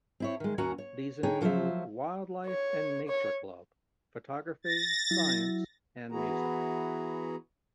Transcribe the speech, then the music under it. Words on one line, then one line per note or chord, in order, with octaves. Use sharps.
These include Wild Life and Nature Club, Photography, Science, and Music.
C4 E4 C#5
D#3 G#3
D#2 C#4 F#4 F#5 G#5 A#5
C#5
D3 D#4 G#4 C#5 G5
F3 F#3 F4 A#4 C5 E5
C#5
C#5
A6 A#6
F#3 E4
E3 B3 E4 F#4 G#4 A#5